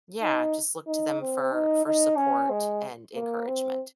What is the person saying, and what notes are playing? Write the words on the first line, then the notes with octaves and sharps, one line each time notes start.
yeah, just look to them for for support and encouragement.
D#4
D#4
C4
D#4
D#4
C#4
G#3
A#3
C4